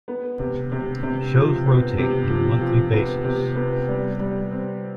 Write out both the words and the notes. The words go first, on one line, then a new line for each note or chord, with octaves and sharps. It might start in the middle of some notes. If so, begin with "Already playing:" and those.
Shows rotate on a monthly basis.
B3
C3
C3
C3
F3
B3
C3
F3
F3
B3
C3
B3
G3
G3
C4